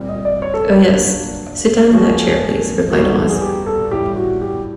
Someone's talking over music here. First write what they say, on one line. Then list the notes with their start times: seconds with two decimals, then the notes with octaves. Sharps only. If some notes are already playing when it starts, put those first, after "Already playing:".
"Oh, yes; sit down in that chair, please," replied Oz.
Already playing: A#2 G3 C4
0.09 D#5
0.25 D5
0.42 C#5
0.54 A4
0.67 A#4
0.79 B4
0.92 F#3 A#3 D4 F4
1.91 F3 G#3 C#4 F#4 B4
2.04 A#4
2.16 A4
2.29 A#4
2.91 A#2 G3 B3 D#4 F#4 A#4
3.04 A4
3.16 A4
3.29 G#4
3.41 G4
3.66 A4
3.91 A2 E3 G3 G4
4.16 F#4
4.42 G4